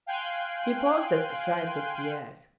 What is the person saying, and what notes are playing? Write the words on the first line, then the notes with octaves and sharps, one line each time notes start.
He paused at the sight of Pierre.
F5 G5 G#5 C6 F#6